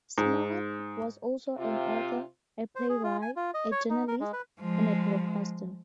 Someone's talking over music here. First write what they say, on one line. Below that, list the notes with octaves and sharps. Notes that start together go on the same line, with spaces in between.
Smyth was also an author, a playwright, a journalist and a broadcaster.
G#2
C3 F4
C5
G#4
F4
G#5
F4
D#5
C#5
D#4
A#4
G#3
B4
F3 G#3